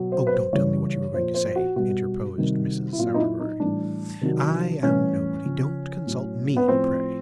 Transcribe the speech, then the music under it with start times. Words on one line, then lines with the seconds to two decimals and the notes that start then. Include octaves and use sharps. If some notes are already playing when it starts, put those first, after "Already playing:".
'Oh, don't tell me what you were going to say,' interposed Mrs. Sowerberry. 'I am nobody; don't consult me, pray.
Already playing: B2 F#3
0.12 C5
0.27 B4
0.33 C5
0.53 C#3 E3 G3 C#5
1.14 A#2 F3 C5
1.34 C5
1.56 F#4
1.76 B2 G3 F#4
2.38 C3 D#3 G3
2.93 E4
2.98 A#2 F#3 F4
3.14 D#4
3.19 E4
3.39 D#4
3.60 A2 E3 G3 D4
4.21 C3 D#3 F#3
4.83 A2 E3 G3 C#4
5.45 C#3 F3
6.07 A2 F#3
6.57 B3
6.68 A2 F3 C4